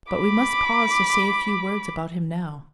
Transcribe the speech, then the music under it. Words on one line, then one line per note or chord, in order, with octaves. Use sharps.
But we must pause to say a few words about him now.
B5 D6